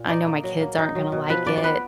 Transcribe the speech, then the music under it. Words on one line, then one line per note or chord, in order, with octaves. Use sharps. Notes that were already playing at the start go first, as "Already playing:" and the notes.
I know my kids aren't gonna like it.
Already playing: A#2
D#4 D5
A#3
F#3
A#3
D#4
F#3
B2
F3 B4
F3 D5
D5
B3 B4